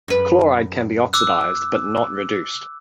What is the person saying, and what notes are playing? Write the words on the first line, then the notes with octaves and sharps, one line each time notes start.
Chloride can be oxidized but not reduced.
F#2 B4
D6 E6 F#6